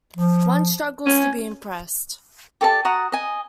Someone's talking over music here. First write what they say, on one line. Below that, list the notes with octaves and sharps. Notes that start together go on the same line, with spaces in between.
One struggles to be impressed.
F3
C#4 G#5
G4 A4 D5 A5
F#4 F#5 A#5 D#6
D#5 G#5